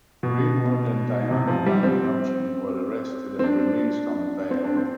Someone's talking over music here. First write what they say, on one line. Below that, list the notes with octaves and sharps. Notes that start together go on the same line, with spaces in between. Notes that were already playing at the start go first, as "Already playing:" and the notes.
Greenwood and Dyanne Van Houten were arrested and released on bail.
B2
C3
F3
G3
C4
C4
D4
C4
D4
C4